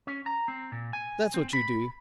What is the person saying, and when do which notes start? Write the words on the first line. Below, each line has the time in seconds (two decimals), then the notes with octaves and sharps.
'That's what you do.
0.07 C#4
0.26 A#5
0.48 C4
0.72 A#2
0.93 G#5
1.34 C4
1.53 B5